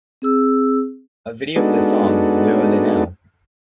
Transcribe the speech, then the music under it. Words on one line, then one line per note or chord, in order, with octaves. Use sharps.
A video for the song Where Are they Now?
C4 G#4 E6
G#3 B3 D4 D#4 F#4 A4